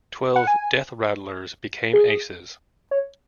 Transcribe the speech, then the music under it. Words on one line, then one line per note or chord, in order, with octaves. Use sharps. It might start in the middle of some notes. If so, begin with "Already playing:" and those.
Twelve "Death Rattlers" became aces.
F#5
G#5
G#4
C#5